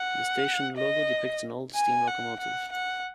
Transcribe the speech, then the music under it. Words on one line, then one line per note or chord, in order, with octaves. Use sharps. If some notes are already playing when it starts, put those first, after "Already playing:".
The station logo depicts an old steam locomotive.
Already playing: F#5
D#5
G#5
F#5
F#5
F#5